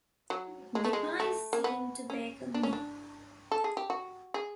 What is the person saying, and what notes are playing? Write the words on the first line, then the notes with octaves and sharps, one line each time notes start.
The pie seemed to beckon me.
F#3
G#3
A3
G#3
A3
A#3
B3
C#4
D4
C#4
D4
A4
G#4
G4
F#4
G#4